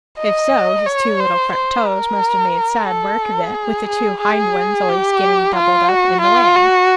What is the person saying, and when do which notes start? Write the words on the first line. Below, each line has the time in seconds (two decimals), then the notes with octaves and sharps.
If so, his two little front toes must have made sad work of it, with the two hind ones always getting doubled up in the way.
0.19 D#5
0.86 C#5
1.19 C5
1.53 C5
1.87 A#4
2.87 A4
3.54 G#4
3.88 G#4
4.21 G#4
4.89 G4
5.56 F4
5.88 F#4
6.22 F4
6.56 F#4